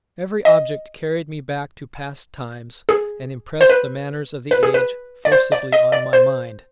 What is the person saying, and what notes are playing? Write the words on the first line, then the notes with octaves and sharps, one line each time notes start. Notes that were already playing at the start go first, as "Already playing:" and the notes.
Every object carried me back to past times, and impressed the manners of the age forcibly on my mind.
D#5
G#4
C5
B4
B4
G#4
B4
D5
C5
D5
D#5
D5
C5